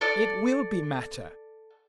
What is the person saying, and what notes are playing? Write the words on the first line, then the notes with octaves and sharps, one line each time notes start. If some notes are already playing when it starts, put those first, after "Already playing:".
'It will be matter.
A4 D5